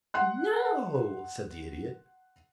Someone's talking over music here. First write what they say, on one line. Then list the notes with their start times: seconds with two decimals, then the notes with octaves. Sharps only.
"No," said the Idiot.
0.14 F#5 C6 F#6